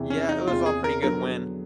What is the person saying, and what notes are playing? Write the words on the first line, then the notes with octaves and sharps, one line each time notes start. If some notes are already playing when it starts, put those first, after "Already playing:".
Yeah, it was all pretty good when
Already playing: E2 C3 E3
C#4
D#4
E2 C3 E3 F4
G#4
A#4
D3 F#3 B3 A#4